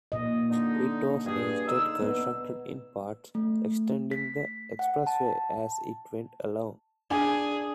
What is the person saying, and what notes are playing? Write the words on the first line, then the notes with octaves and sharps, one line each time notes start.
It was instead constructed in parts extending the expressway as it went along.
A#2 D#5
D3 D#4
G2 G#4
D3 D#4 E6
B3
A3
B6
F#5
A5
D4 G#4 G#5